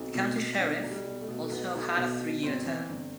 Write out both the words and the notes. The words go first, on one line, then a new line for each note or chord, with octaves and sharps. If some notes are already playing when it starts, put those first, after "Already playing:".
The county sheriff also had a three-year term.
Already playing: B1 C4
B2
B2
B1 D4
B1
G3
B2
A3
B2
A3
B1 B3
B1
B2
B2
G1 C4
E3
G1